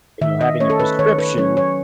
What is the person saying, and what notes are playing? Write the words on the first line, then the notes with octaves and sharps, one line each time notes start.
you know, having a prescription,
D#3 E5
D#5
A3 C#4 C#5
A4
B4
D#3 C#5
B4
F#3 C#4 C#5
C#5